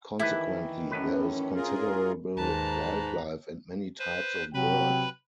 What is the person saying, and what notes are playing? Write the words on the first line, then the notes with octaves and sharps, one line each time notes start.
Consequently there is considerable wildlife and many types of bird.
D#3 E3 E4 G4 A4 B4
F#2 A2 C#4 B4
F4 G#4 A#4
D#2 G#2 B4 A5 A#5
B4 C5
C3 F#3 B4 G5 B5